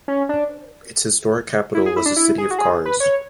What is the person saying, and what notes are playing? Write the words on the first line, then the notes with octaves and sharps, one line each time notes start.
Its historic capital was the city of Kars.
C#4
D4
E4
G#4
E4
D4
E4
G#4
F#4
G#4
B4
C#5